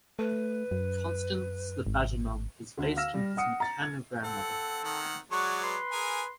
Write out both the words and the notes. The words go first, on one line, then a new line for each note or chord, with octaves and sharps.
Constance the Badgermum is based on his maternal grandmother.
A3 B4
F#2
G#1
D2 D3
F5 E6 F6 A#6 E7
G3
F#5 D#6 C#7
A#5 A6
G#6
C4 A4 F#5
D#3 F#5
F#3 G#3 D5 F#5 C#6
B4 C6
G#4 A#4 G#5